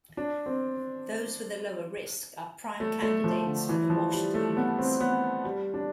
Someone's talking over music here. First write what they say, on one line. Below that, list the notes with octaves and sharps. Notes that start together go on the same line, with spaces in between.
Those with a lower risk are prime candidates for the washed units.
D4
C4
A3
A3
F3
D3
E3
F3
G3
A3
B3
C4
B3
G3
D4